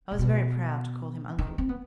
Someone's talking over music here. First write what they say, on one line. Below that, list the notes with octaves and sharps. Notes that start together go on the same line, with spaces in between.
I was very proud to call him uncle.
A2
B2
D#3
C4
B3